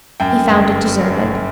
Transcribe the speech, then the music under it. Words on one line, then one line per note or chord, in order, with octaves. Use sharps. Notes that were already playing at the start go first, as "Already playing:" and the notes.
He found it deserted.
F#2 G5
G1